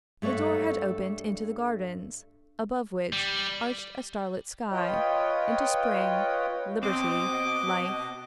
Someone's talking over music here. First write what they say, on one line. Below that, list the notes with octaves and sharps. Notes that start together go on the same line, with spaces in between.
The door had opened into the gardens, above which arched a starlit sky, into spring, liberty, life!
G2 A3 C#5 D5 F#5
G3
F4 B4 C#5 D#5 G5
B2 C4 D#5 D6